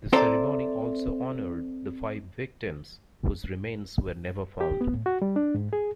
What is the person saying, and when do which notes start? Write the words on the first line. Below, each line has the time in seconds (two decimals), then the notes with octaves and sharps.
The ceremony also honored the five victims whose remains were never found.
0.13 C4 A4 C5 D5 E5 A#5
4.61 G4
4.81 B3
4.94 A2
5.06 F#4
5.22 G3
5.36 D4
5.54 G#2
5.73 G#4